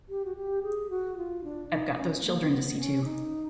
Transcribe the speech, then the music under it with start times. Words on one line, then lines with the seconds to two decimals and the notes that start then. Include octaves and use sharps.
I’ve got those children to see to.
0.09 G4
0.25 F#4
0.36 G4
0.63 G#4
0.90 F#4
1.17 F4
1.44 D4
1.70 D#4
1.91 D4
1.98 C#4
2.24 A#3
2.41 C4
2.50 B3
2.78 C#4
3.04 D#4